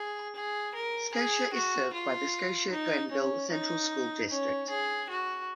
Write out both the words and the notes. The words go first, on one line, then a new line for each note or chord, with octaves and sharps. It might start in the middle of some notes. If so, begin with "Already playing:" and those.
Scotia is served by the Scotia-Glenville Central School District.
Already playing: G#4
G#4
A#4
G#4
F#4
F4
D#4
C#4
D#4
C#4
G#4
F#4